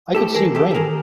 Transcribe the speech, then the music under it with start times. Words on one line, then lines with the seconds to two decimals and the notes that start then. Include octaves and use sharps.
I could see rain.
0.15 A2 G4 A4
0.35 E3 G#4 A#4
0.55 C4 G4 A4
0.71 A4
0.75 D#3 G#4 A#4